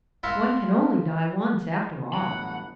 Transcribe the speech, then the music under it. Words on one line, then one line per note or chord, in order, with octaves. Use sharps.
One can only die once after all.'
E4 F4 A#4 F5 F#5
G1 E2 A2 F#3 F#5 B5